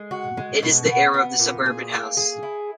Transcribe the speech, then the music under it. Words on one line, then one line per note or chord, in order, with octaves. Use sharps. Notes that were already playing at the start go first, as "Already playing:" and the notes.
It is the era of the "suburban house".
Already playing: G#3
F#4
G#3
B2
B3
B3
A#2
G#4
A#3
G#4
E4